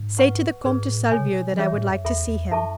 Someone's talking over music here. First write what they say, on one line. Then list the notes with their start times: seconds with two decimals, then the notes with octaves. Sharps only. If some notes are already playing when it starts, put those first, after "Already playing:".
"Say to the Comte de Salvieux that I would like to see him."
Already playing: G#2
0.19 B4 F#5 C#6
0.64 G#2 G#4 B4 D5
0.88 A2
1.11 B2 A4 C#5 G#5
1.19 C#3
1.27 B2
1.53 F#3
1.58 E3 C#4 G#4 C#5 E5
1.73 A2
1.89 F#2
2.04 E2 A4 E5 B5
2.28 E2
2.51 F#2 E4 A4 E5 A5 C#6